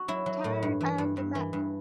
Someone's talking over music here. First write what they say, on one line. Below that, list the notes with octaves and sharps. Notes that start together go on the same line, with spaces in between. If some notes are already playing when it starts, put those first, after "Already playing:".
Return of the Mac.
Already playing: F#4
F#3 E4
F#3
A2
G2
E3
G2
G2
E3
G2